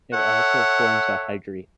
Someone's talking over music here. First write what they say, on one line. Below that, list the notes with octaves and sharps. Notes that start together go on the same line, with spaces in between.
It also forms a hydrate.
A4 C#5 E5 F#5